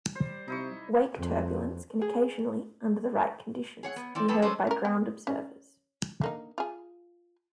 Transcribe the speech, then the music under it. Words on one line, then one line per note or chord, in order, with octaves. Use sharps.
Wake turbulence can occasionally, under the right conditions, be heard by ground observers.
G3 C5
C3 D#4 E4 C#6
F2
G#4
G#4 C#5 F#5
B3
E3 C4 D5
G3 B3 C4 A4 B4
C#4 D4 A4 B4 C5
C#4 A#4
B3 G5
C#4
D3 A#3 D#4
F4 G#4